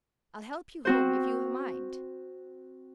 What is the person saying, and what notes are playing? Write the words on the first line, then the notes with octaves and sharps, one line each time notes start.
"I'll help you home if you've a mind."
C4 F#4 C5